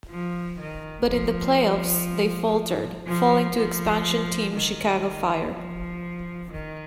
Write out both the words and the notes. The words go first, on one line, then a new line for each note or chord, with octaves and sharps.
But in the playoffs they faltered, falling to expansion team Chicago Fire.
F3
D#3
F3
F3
F3
D#3
F3
D#3